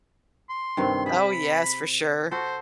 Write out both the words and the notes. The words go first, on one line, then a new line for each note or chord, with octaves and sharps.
Oh, yes, for sure.
C6
G2 C3 D#3
G#4 E5 B5
F#4 A4 C5